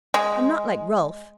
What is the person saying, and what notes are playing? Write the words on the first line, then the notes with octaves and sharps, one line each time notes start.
I'm not like Ralph.
G#3